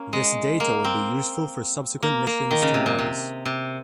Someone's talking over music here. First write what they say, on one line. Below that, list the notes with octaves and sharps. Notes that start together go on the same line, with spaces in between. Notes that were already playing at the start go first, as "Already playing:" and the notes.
This data would be useful for subsequent missions to Mars.
Already playing: A#3 C#4
G#3
A#3
C4
A#3
A#3
D#3
C#3
C3
A#2
C3
C3